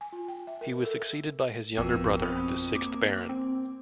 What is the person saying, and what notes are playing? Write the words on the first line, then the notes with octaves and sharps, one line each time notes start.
He was succeeded by his younger brother, the sixth Baron.
G#5
F4
G5
E5
A#4
A4
G#1 F2 B2 B3 A#4 E6
C4 B5 D#6
A#3 D6
C4